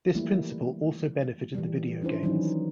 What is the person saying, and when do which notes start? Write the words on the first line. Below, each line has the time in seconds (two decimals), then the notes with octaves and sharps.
This principle also benefited the video games.
0.15 E3 F3 G3 A3 A#3 E4
1.55 E3 F3 G3
2.02 F3 C#4 D4 E4 C5
2.23 D#3 E3 F#3 G3 C#4 D#4